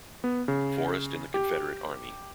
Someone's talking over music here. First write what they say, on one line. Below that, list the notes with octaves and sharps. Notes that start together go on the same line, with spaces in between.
Forrest in the Confederate Army.
B3
C#3
G4